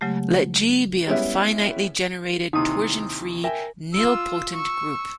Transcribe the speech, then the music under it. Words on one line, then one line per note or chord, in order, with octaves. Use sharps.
Let "G" be a finitely generated torsionfree nilpotent group.
C#3 F#3 G#3 A3 G4
G3 G#3 B3 C#4 E4
D#2 C3 E3 D#4 D#6
A#4 E5 G5 G#5
F4 E6
C#6 E6